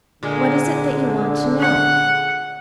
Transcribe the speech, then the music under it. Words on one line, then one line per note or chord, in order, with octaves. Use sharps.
What is it that you want to know?
A#2 D3 G#3
F#5